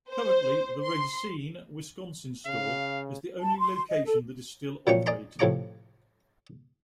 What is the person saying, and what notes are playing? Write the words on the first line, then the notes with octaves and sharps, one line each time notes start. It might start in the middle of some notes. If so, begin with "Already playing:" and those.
Currently, the Racine, Wisconsin store is the only location that is still operating.
C5
C6
C#3 F5
A5
C6
D#5
A4
A#2 F3 F#3 C#4 G5 C#6
D5 D#5 G#5 A#5 C6
A2 C3 F3 C#5 A#5 D6